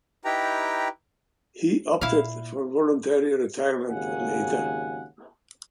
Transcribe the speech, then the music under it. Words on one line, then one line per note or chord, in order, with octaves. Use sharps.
He opted for voluntary retirement later.
D#4 E4 G4 B4 G5 A#5
A#2 E4 F5
G#1 D#2 C#3 F#5 G#5